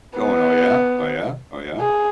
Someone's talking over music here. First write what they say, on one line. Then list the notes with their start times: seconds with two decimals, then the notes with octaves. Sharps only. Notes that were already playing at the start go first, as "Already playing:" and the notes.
going, "Oh, yeah, oh, yeah, oh, yeah."
0.19 B3
1.80 G#4